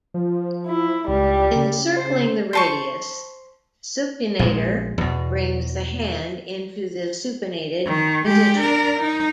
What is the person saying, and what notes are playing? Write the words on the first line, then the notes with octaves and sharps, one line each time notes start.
Encircling the radius, supinator brings the hand into the supinated position.
F3
E4
C#2 G3
C#3
C5
C5 A5 C#6
A#1 A#2 D#3 G#3
E2 B2
D#3
G#3 G4
D4 A#4
D#4